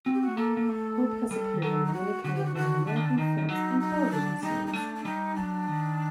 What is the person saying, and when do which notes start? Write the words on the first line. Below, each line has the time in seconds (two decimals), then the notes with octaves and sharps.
Hope has appeared in many Canadian and American films and television series.
0.05 C4 F#4
0.13 G4
0.21 F#4
0.27 A3
0.37 A#3 A4
0.57 A#3
0.69 A3
1.31 G3 A4
1.54 D#3
1.62 F#3 A4
1.85 D#4
1.93 F#4
2.24 D3 F#4
2.35 G4
2.45 F#4
2.55 D3 F#4
2.86 D3 D4
2.96 D#3
3.05 D3
3.18 D#3 D#4
3.38 D#3
3.49 F#3 D#4
3.80 D#4
4.11 D4
4.43 G3 D#4
4.67 D#4
4.73 A3 D4
4.95 D4
5.04 G3 D#4
5.36 F#3 D4
5.68 D#3